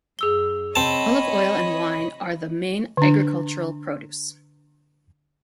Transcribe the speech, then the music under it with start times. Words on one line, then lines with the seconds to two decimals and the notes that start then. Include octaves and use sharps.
Olive oil and wine are the main agricultural produce.
0.19 F#2 G#4 E6 G7
0.75 C4 C#5 D#5 A5 B5
2.97 D3 D4